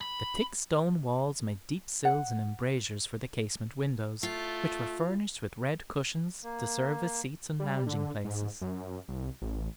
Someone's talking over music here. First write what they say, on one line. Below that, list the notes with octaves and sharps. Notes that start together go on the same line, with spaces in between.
The thick stone walls made deep sills and embrasures for the casement windows, which were furnished with red cushions to serve as seats and lounging-places.
B5
F#5
A3 F4
A#3
G3
D3
G#2
F#2
C2
A1